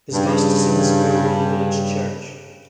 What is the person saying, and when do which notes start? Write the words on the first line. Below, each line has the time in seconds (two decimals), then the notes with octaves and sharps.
His bust is in the square near the village church.
0.12 G2 C#3